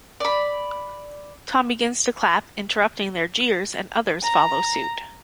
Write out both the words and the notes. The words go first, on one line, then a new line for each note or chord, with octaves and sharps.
Tom begins to clap, interrupting their jeers, and others follow suit.
D5 B5
A#5